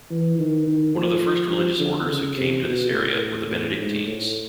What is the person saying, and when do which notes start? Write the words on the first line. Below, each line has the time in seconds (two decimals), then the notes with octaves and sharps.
One of the first religious orders who came to this area were the Benedictines.
0.11 E3
0.39 D#3
0.66 D#3
0.96 F3
1.51 F3
1.79 D3
2.08 C#3
2.36 C3
2.65 B2
2.92 A2
3.49 A2
3.77 G#2
4.05 A2